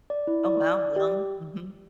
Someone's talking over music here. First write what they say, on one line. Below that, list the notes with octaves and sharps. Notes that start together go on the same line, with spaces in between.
Oh, wow. Young. Mhm.
D5
E4
D5
D5
D5
G4